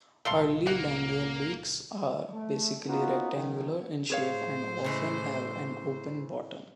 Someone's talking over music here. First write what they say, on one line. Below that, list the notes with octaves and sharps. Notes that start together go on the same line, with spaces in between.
Early langeleiks are basically rectangular in shape, and often have an open bottom.
C#2 A#2 A4 F5 C6
A#3 F#5
A3
A#3 B3 C#4 D#4 F4 F#4
B1 D#3
A2 G#4 C5 C#5 F5
C#3 E3 G#3